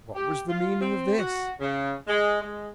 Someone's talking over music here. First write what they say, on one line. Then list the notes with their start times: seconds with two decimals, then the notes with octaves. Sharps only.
What was the meaning of this?
0.14 G4
0.49 F4
0.81 C4
1.17 F#4
1.60 C#3
2.08 G#3
2.42 G#3